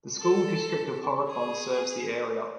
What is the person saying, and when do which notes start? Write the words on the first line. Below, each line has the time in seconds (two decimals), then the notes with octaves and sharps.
The School District of Horicon serves the area.
0.20 A4
1.28 G#4